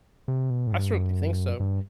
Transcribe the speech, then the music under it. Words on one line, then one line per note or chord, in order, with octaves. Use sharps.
I certainly think so.
C3
B2
A2
G2
F#2
G2